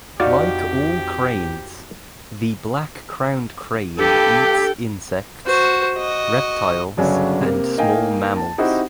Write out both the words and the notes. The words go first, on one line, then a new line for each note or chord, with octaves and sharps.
Like all cranes, the black crowned crane eats insects, reptiles, and small mammals.
F2 F3 C4 D#4 F#4 G4 D5 F5
G2 G4 A4 G5
F#4 C5
F#4 D#5
G1 C#3 F#3 C#4 D4 G#5
C3 A#3
A#3 D#4 D#5 F5 G5 G#5
A5
C4 D#4 E4 F#4 G4 C5